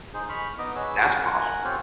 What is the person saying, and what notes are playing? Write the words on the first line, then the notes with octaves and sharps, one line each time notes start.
That's possible.
D#4 G#4 C5
B5 C#6 F6
B3 D#4 D#5 D6
G#4 B4 C#5 E6
A#4 F#5 G#5
C4 F4 G4 C5 C#5